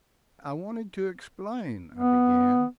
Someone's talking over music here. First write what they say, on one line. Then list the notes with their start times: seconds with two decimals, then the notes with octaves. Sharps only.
"I wanted to explain--" I began.
1.94 B3